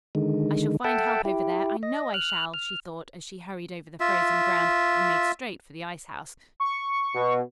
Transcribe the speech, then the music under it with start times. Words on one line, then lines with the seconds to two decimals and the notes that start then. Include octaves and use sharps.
"I shall find help over there, I know I shall," she thought as she hurried over the frozen ground and made straight for the ice house.
0.15 D3 D#3 G#3
0.84 A4 E5 F#5 G5 A5
1.25 E4 G4
1.83 D#5
2.14 F6 F#6
2.54 F6
4.00 F4 E5
6.60 C#6
7.14 B2